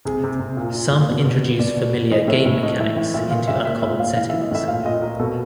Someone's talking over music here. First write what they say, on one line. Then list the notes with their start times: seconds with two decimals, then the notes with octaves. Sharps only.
Some introduce familiar game mechanics into uncommon settings.
0.05 C3 G#4
0.23 C3
0.39 C3
0.57 A#2
0.74 A#2
0.92 A#2
1.09 B2
1.25 B2
1.43 B2
1.59 B2 D5
1.76 B2
1.94 B2
2.11 E3 D#5
2.28 A2 E5
2.45 A2 E5
2.63 A2 D#5
2.79 E3 E5
2.96 E3 E5
3.14 A#2 E5
3.31 A#2 F5
3.48 A#2 E5
3.65 A#2 E5
3.82 A#2 E5
4.00 A#2 F5
4.16 E3 F5
4.29 E5
4.33 E3
4.42 D#5
4.51 A2 E5
4.68 A#2 F5
4.85 A#2 D#5
5.02 A#2 A#4
5.19 B2 A4